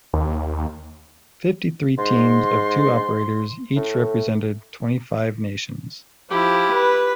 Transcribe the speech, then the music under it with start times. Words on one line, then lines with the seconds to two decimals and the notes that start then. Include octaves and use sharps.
Fifty-three teams of two operators each represented twenty-five nations.
0.14 D#2
1.98 G#2 C6
3.76 A2
6.30 F3 E4 G4
6.71 B4